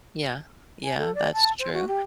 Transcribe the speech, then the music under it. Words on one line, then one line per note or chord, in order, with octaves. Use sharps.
Yeah. Yeah, that's true.
G#5
A4
D5
A5
C5
F#4
G4